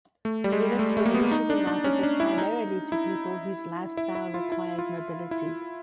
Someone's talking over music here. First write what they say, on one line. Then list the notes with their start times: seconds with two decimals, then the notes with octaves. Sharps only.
Units were initially marketed primarily to people whose lifestyle required mobility.
0.25 A3
0.44 G3
0.52 G#3
0.79 A3
0.97 A3
1.06 A#3
1.15 B3
1.31 D#4
1.50 D4
1.67 D4
1.84 C#4
2.03 D4
2.20 E4
2.38 D#4
2.92 E4
3.97 E4
4.15 E4
4.34 F4
4.52 E4
4.79 F4
5.31 E4